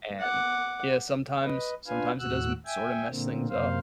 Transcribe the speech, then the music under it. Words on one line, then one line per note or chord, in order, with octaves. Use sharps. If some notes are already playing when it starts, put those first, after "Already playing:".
And, yeah, sometimes sometimes it does m sort of mess things up.
F#5 D6
B4 D#5
D4 F4 B4 F5 G#5
D#2 A2 F#4 E6 F#6
E5 G5 G#5
A#2 D3 A#3 C4
F#2 C3 A#3 C5 F5